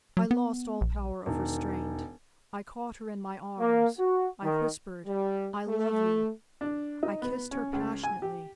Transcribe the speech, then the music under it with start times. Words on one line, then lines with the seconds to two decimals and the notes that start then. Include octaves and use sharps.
I lost all power of restraint; I caught her in my arms; I whispered, "I love you!" I kissed her passionately.
0.17 F#3
0.31 B3
0.81 A#1
1.26 E1 D#3
3.59 A#3
3.98 F#4
4.43 D#3
5.06 G3
5.66 A3
6.61 D4
7.03 D#4
7.22 B3
7.51 C#4
7.73 C#2
8.04 G#5
8.22 G4